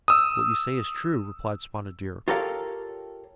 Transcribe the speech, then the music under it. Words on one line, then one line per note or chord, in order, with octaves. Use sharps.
"What you say is true," replied Spotted Deer.
D#6 E6
F4 G4 A4 A#4 C#5 F5